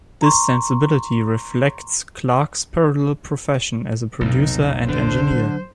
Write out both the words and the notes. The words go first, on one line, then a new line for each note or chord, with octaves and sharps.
This sensibility reflects Clark's parallel profession as a producer and engineer.
A#5 C6 C#6
B1 F2 C3 D#4
G1 D3 C5
F#3